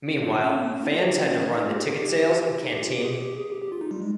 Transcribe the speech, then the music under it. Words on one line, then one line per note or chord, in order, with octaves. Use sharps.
Meanwhile fans had to run the ticket sales and canteen.
F4
C#4
C4
A#3
C#4
D#4
F4
G4
F4
C#4
C#4
D#4
F4
G4
G#4
G4
D#4
G4
F4
G4
G#4
G4
G4
G#4
G4
G4
F4
D#4
G3
G#3